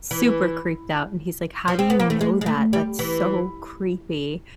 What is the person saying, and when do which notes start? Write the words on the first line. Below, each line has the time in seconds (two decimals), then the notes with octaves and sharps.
super creeped out, and he's like, "How do you know that? That's so creepy."
0.11 E3
1.68 F3
1.79 C4
1.90 B3
2.00 A#3
2.10 A3
2.21 G#3
2.41 G#3
2.46 A3
2.73 G3
2.99 E3